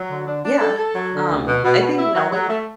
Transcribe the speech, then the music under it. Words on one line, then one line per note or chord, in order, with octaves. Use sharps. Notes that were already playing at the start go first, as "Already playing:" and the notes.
yeah, um, I think knowing
Already playing: F#3
D3
D4
D4
A4
A4
F#3
D3
D2
B2
B2
B2
E4
F#3
F#3
A3